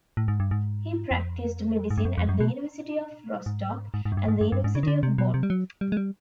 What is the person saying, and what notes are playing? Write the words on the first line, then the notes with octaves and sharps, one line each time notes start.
He practiced medicine at the University of Rostock and the University of Bonn.
A2
G#2
G2
G#2
F2
G#2
G2
F#2
F2
F#2
B2
G#2
G#2
G#2
F#2
G2
G#2
G2
G2
G#2
C#3
D#3
D3
C3
B2
C3
G3
F#3
G3
G#3
G3